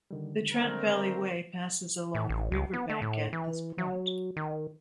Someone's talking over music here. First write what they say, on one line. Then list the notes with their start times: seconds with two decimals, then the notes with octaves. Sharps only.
The Trent Valley Way passes along the riverbank at this point.
0.11 D3 D#3 G3
0.53 A3 C4 D4 A#4
2.15 A2
2.29 A1
2.52 C#2
2.73 B3
2.89 A3
3.02 A2
3.33 E3
3.78 F#3
4.37 D#3